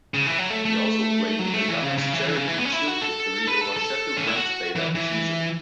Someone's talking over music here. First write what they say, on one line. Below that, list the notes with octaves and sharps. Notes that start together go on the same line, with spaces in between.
He also played in the Gunners' Charity Shield victory over Sheffield Wednesday that season.
C#3
E3
F#3
A3
A3
F#3
A3
E3
C#3
C#3
E3
E3
C#3
E3
B3
C#4
E4
F#4
A4
B4
A4
A4
C#4
E4
F#4
E3
E3